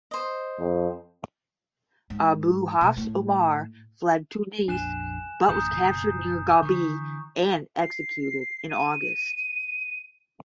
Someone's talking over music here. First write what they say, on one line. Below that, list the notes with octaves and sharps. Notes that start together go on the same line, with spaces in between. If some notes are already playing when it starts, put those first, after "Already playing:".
Abu Hafs Umar fled Tunis but was captured near Gabes and executed in August.
C5 D#5
F2
G#2
B2
A2
A#1 F2 D4 G#5 F#6 E7
A1 F#2 C#3 A#5 D#6 G6
F#1 B2
D3 E3 C#6
C7
D#7